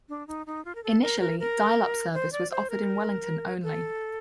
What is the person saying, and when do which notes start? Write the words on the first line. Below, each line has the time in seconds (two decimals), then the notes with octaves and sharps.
Initially, dialup service was offered in Wellington only.
0.09 D4
0.27 D#4
0.47 D#4
0.65 F4
0.75 A#4
0.84 A4
1.02 A#4
1.20 A#4
1.40 A#4
2.14 C5
2.32 D5
2.51 C5
2.70 A#4
3.63 A4